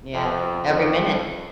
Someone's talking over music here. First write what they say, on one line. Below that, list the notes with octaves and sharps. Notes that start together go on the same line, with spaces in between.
Yeah. Every minute.
F2
F2